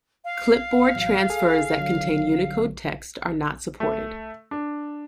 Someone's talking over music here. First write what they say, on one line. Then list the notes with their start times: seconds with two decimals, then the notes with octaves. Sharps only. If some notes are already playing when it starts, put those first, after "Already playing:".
Clipboard transfers that contain Unicode text are not supported.
0.25 F5
0.95 A1 F#3
1.30 G#4 A4 G#5
1.78 D3 F#3
3.80 A3
4.51 D4